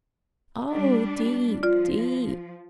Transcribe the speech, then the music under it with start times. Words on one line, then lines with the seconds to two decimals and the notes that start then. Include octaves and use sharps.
'Oh deep, deep!
0.73 G3 D4
1.63 F3 F4 D5